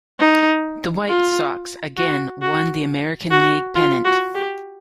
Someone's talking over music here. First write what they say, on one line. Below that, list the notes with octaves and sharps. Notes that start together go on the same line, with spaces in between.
The White Sox again won the American League pennant.
D#4
F4
F#4
F#4
F#4
F4
F#4
G4